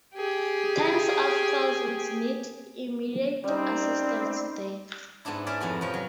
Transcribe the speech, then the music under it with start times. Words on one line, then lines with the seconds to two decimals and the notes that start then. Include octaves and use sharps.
Tens of thousands need immediate assistance there.
0.15 G4 G#4
3.44 G3 C4 C#4 D#4 D5
5.25 G#2 B3 D4 E4
5.46 C#4 E4 G#4 D5 E5
5.60 F2 A2 B3 F#4
5.81 C3 F3 A#4 G5
5.94 F#3